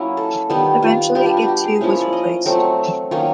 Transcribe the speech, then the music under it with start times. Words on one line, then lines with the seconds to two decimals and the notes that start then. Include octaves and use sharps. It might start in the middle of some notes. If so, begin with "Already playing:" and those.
Eventually it too was replaced.
Already playing: F#3 A#3 C#4 E4
0.17 A4
0.50 D#3 G3 B3
0.82 F4
1.15 G3 B3 D4 G4
1.26 G4
1.37 F#4
1.48 G4
1.64 G#4
1.81 F3 A#3 C#4 E4
1.91 C#5
2.02 D5
2.13 D#5
2.46 F#3 A3 C4
3.11 D#3 F#3 A#3 C#4